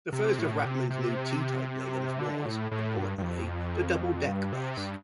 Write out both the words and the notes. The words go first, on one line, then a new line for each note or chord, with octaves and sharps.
The first of Rackham's new T-Type Leylands was, importantly, the double-deck bus.
C3
A2
C3
C3
D3
A2
A2
G2
G2
F2
G2
C3
G2